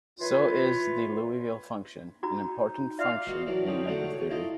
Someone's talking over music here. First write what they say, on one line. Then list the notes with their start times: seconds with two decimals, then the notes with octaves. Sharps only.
So is the Liouville function, an important function in number theory.
0.20 E3 F4 B4 C#5 C6
2.23 D#4 F#4 A#5
2.99 F4 D5 E5 F5
3.27 F#4 B4 D#5 F#5 C6
3.46 E3 F#3 A#3 D4
3.67 D3 F3 C4 C#4 D#4
3.87 D3 F#3 A3 C5 C#5 F#5
4.09 C2 C#5
4.30 E4 F4 A4 A#4 D#5